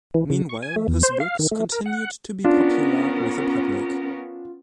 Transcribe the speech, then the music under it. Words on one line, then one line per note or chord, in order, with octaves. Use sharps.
Meanwhile, his books continued to be popular with the public.
E3
C#3
C#6
G#5
A3
E2
C5
F5
D#3
A3
A#4
F#5
B3 C#4 D4 F4 A#4